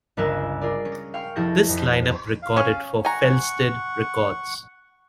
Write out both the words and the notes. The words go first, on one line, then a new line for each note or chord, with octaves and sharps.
This lineup recorded for Felsted Records.
G1 C#2 A#4 B4 G#5 E6
F4 G#4 A#4 D5
C#4
F5 G5 C6 C#6 F6
F1 E4 G#4 A4 G6 A#6
F2
F5
C#4 C#5
F#5 G#5 A#5 C#6